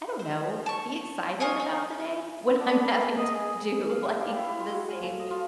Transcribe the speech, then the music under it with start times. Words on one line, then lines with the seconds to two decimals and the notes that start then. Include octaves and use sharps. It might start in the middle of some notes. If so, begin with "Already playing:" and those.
I don't know, be excited about the day, when I'm having to do, like, the same
0.19 C5
0.66 A5 C#6
1.40 F4 G#5 C#6 D#6
1.60 D#4
2.47 C5
2.60 D4
2.81 B4
3.18 D#5
3.34 G#4
3.90 F5
4.05 G5
4.21 G3
4.34 E4
4.47 E4
4.60 F4
4.72 F#4
4.89 G#5
5.02 A3
5.19 D#5
5.31 F4